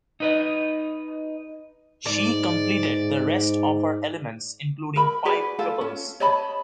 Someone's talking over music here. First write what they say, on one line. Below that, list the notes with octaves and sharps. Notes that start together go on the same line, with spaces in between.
She completed the rest of her elements, including five triples.
D#4 B4 D#5
G#2 D5
A#4 B5
F#4 G#4 B4 D5
F4 A4
C#4
C#5 D#5 A5 B5